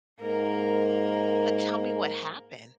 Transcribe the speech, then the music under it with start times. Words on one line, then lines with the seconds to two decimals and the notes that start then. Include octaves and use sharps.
But tell me what happened.
0.21 G#2 A#3 A#4